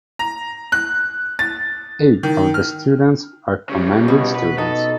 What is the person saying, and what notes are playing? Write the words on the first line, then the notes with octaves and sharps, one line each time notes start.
Eight of the students are Commended Students.
A#5
F#6
A6
D#3
F6
C#3 G3
B2
B4
D#4 A4